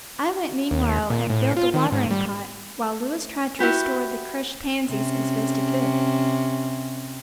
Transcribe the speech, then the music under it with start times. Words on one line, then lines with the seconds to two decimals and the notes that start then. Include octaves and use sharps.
I went meanwhile and filled the watering-pot while Louis tried to restore the crushed pansies as best he could.
0.71 D#2
1.10 A#2
1.30 A2
1.57 F4
1.74 D#3
1.92 G#2
2.11 G3
3.59 E4 F#4 G4 B4
4.88 C3 C#4